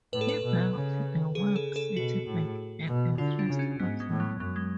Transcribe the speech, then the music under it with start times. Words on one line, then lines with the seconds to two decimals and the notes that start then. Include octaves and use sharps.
He built the Webb City Bank and the first hotel.
0.13 A2 B4
0.21 A4
0.29 B4
0.44 B2
0.74 C#3
1.35 C#3 G#4
1.56 A4
1.76 A4
1.96 B2 F#4
2.26 A2
2.87 B2
3.18 D3 F4
3.39 D4
3.49 C#3
3.59 C#4
3.79 G#2 B3
4.00 G#3
4.10 A2
4.20 F#3
4.40 F#2 F#3
4.56 G#3